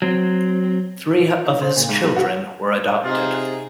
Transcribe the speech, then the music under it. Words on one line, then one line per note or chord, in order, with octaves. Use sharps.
Three of his children were adopted.
F#3 C4
D#4
C5
A#2
G#2
G2
F#4
C3 D#4 F4 G#4